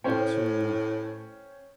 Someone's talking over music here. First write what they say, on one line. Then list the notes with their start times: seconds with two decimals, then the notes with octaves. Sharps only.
up to"
0.04 A2 C#4 C5 G5